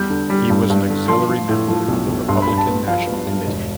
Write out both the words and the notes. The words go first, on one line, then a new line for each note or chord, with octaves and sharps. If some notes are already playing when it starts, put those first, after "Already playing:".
He was an auxiliary member of the Republican National Committee.
Already playing: E2 G3 G6
D3
G3
G2
G2
D3
F3 C6
F3
A2
F3
B1
B1
G2 C6
G2 B5
A5
B3
F3 F5
B3
G2
E1